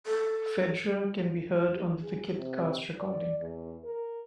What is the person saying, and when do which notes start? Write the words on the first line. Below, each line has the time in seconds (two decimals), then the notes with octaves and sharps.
Federer can be heard on the "Wicked" cast recording.
0.06 A4
2.02 G#4
2.37 C3
2.98 D5
3.39 E2
3.84 A#4